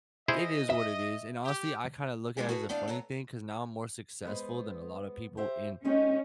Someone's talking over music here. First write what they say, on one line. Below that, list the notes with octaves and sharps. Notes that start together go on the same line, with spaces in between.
it is what it is, and honestly, I kinda look at it as a funny thing 'cause now I'm more successful than a lotta people in
E4 G#4 C5 D#5
E5
G4
E3 F3 G#3 D4 F#4 G#4
F#4 G#4 A4 B4
A3 B3 D4 D5 F5
F#3 A3 B3 A#5
G#3 B3 C5
G4 C5 E5
G#3 C#4 D#4 G4